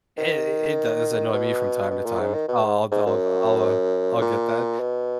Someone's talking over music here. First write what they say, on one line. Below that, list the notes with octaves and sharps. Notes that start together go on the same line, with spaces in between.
i it does annoy me from time to time. I'll I'll I'll, uh, I'll get that.
D#3
B2
B2
A#2
G#2
D#3
B2
G#2
G#2
F#2
A#2
B2